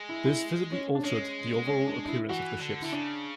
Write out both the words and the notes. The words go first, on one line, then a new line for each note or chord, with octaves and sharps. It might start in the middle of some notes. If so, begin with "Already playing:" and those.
This visibly altered the overall appearance of the ships.
Already playing: G#3
E4
E4
C#4
D4
G#3 C#4
C#4
D4
D4
E4
E3 F#4
D3
D3 E4
C#3 D4